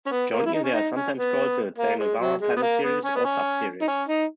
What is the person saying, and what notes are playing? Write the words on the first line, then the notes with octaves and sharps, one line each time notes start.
Jointly they are sometimes called the "Dinosaur Planet series" or sub-series.
C#4
B3
A#3
E4
D#4
C#4
D#4
C#4
B3
A#3
G#3
F#3
G#3
B3
A#3
B3
C#4
B3
C#4
D#4
C#4
D#4